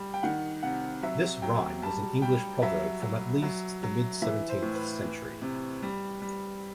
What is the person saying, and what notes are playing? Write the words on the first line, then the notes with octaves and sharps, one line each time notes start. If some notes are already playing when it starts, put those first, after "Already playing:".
This rhyme was an English proverb from at least the mid-seventeenth century.
Already playing: G3
G5
D#3 F#5
C3 F#5
F#3 E5
F#3 G5
G3 A5
G3 G5
F#3 E5
F#3
F#3
F#3
E3 E5
C5
A2
B4
E3
C3
G3
G3